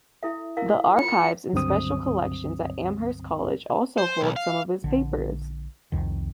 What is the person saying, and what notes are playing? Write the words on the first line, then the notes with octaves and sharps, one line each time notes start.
The Archives and Special Collections at Amherst College also hold some of his papers.
E4 A4 E5
E4 A#4 F5
F4 B5 C#7
C#2 G2 D3 F#3 C4 D#6
C5
B1
F5
A#1 D3
C2 F2 D#3